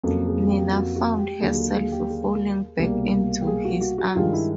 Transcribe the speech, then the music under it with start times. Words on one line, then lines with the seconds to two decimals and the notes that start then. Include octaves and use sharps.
Nina found herself falling back into his arms.
0.04 F2 C#3 F#3 A#3 A4
0.28 G#4
0.50 G4
0.72 F#4
0.96 F#4
1.18 G4
1.41 D#2 D3 F#3 A#3 G#4
1.58 A4
1.76 G#4
1.92 G4
2.10 G#4
2.78 C2 B2 G3 A#3
3.41 G4
3.47 G#4
3.65 F#4
3.81 F#4
3.98 F#4
4.15 G2 D#3 G#3 F4
4.33 E4